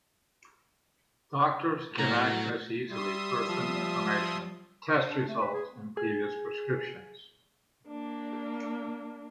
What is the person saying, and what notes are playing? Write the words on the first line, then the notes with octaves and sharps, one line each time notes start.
Doctors can access easily person information, test results, and previous prescriptions.
A2 F#3 A#5
G3 E5 C6 D#6
F3
C5
D4
A3
B4
G#4
G#4
A#3 D4